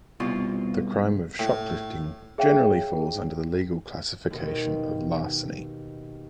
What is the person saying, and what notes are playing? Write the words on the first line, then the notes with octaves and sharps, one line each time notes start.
The crime of shoplifting generally falls under the legal classification of larceny.
C2 B2 F4 C6
A2
G#4 C#5 E5 F5 G5
D#2 B2